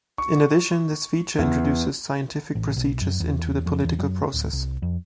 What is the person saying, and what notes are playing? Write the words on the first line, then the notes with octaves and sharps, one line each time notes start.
In addition, this feature introduces scientific procedures into the political process.
C#6
E2
A1
B1
F#2
E2
F2
E2
F#2
D1
C2
F2